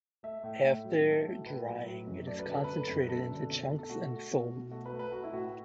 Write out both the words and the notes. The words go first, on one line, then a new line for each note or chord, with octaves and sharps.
After drying it is concentrated into chunks and sold.
A3 E5
A2
A2
F#3
A3
A2
A2 B4
F#3
F#3
F#2
A3 D5
B4
D3 A4
F#3 B4
F#2
A3 A4
D3
B2
B2
A4
A3 F#4
A3
B2
B2
A3 F#4
B4
A3
B4
A3 F#4
E4
A2 F#4